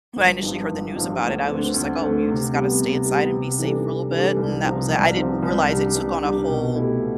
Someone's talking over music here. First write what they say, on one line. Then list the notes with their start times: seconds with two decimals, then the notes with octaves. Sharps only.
when I initially heard the news about it, I was just like, "Oh, you just gotta stay inside and be safe for a little bit," and that was tha I didn't realize it took on a whole
0.17 G1
0.43 G2 F3
0.69 G1
0.96 G2 F3
1.22 D2
1.48 D3 A3 C4
1.74 D2
2.00 D3 A3 C4
2.27 C3
2.53 G3 B3
2.79 C3
3.05 G3 B3
3.31 C3
3.59 E3 G3 D4 A4
3.85 C3
4.11 E3 G3 D4 A4
4.37 C2
4.63 C3 F3 C4
4.89 C2
5.15 C3 F3 C4
5.43 C2
5.68 C3 G3 D4
5.95 C2
6.22 C3 G3 D4
6.48 B2
6.74 A3 E4 G4
7.00 B2